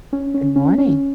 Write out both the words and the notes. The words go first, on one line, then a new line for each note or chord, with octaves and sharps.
Good morning.
C#4
C#4
C#4
C#4